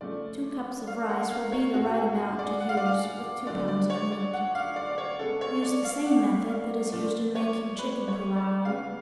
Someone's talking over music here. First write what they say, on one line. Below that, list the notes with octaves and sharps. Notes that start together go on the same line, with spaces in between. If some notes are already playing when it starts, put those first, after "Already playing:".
Two cups of rice will be the right amount to use with two pounds of meat. Use the same method that is used in making chicken pullao.
C#3 F3 A3 D5
F5
F#5
F5
C#5
A2 G#3 B3 F#4
G#4
G#4
D5
F#5
F5
D5
F5
D3 F#3 A3 D5
D5
C#5
D5
F#5
F5
D5
D5
C#5
C#3 G#3 B3 A4
C#5
D5
F5
F#5
F5
C#3 F3 A3 D5
C#5
B4
C#5
D5
C#3 G#3 B3 F5